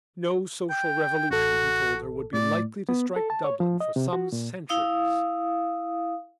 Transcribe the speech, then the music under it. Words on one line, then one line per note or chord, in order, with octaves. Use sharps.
No social revolution, he told her, would be likely to strike Dublin for some centuries.
G5
A1 F#4 A4
A2 D5
B3
A4
A5
C#5
F3
D#5
C3
F#4
A#2
E4 F5 D#6